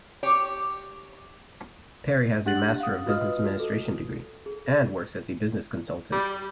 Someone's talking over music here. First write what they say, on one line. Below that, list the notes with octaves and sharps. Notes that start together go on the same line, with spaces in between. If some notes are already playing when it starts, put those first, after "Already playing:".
Parry has a Master of Business Administration degree, and works as a business consultant.
G4 C#5
D4 G4 F#5 F#6 A6 F#7
F5 D#6
F4 F#4 B4 D#5 D#6 F6
F#4
A4
G#4
G3